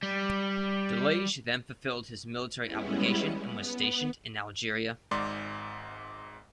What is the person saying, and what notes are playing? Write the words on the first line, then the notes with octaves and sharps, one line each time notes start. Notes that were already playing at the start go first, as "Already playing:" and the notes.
Delage then fulfilled his military obligation and was stationed in Algeria.
G3
G3 G#3 B3 C#4 E4
B3
G#1 G#2 D5 C6